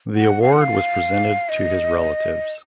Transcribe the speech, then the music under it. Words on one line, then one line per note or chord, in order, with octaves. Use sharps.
The award was presented to his relatives.
F#5
F5
F#5
F5
D#5